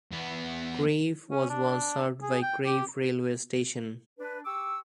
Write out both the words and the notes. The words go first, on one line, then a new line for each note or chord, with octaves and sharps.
Crieff was once served by Crieff railway station.
E2 B3
C#4
D4
G#4
G5
G4
D4 B4
G4 C#6 D6 E6